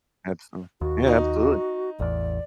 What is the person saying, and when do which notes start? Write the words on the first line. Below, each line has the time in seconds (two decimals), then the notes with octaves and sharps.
Absolu Yeah, absolutely.
0.81 D#2 F#4
1.07 D#4
2.00 A1 E2 D5